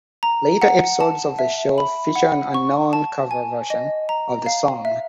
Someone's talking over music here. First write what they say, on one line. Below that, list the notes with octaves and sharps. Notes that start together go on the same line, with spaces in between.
Later episodes of the show feature an unknown cover version of the song.
A#5
F#5
A5
E5
B5
F#5
C#6
A5
G#5
D#5
A#5
F5
E5